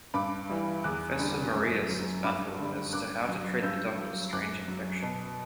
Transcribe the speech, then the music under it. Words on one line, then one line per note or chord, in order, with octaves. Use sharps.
Professor Marius is baffled as to how to treat the Doctor's strange infection.
G2 B5 D6
E3 G3
E2 D6 F#6
D3 G3
F#2
F#3
G2 B5 D6
D3 G3
G2 D6 F#6
F#3
G2 E6 G6
F#3
F#2 D6 F#6
F#3
B2